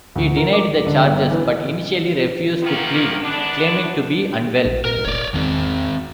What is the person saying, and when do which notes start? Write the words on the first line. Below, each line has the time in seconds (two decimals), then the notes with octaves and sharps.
He denied the charges but initially refused to plead, claiming to be unwell.
0.16 D2
0.37 A#4
0.53 D6
0.87 D3
1.05 G1
1.30 E3
2.63 C3 D#3 G3 A#3 B3
3.21 F#2 B3 D4
4.65 A#1
4.85 A#2 A#4
5.05 F1 C#5 D5
5.34 E2 D#3 C4